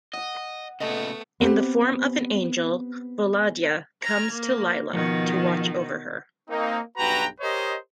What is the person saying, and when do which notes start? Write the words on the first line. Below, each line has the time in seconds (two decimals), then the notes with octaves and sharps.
In the form of an angel, Volodya comes to Lilya to watch over her.
0.13 D#5 F#5 D6
0.80 A#2 C#3 A3 B3 D#5
1.40 B3 C4 G4 C5
4.01 A#5 F6 G#6
4.32 A#3
4.93 B2 D#3 F3
6.49 A#3 C4 D#4
6.98 B1 G2 F#4 B4 G5 A#5
7.41 G4 A#4 C5 C#5 D#5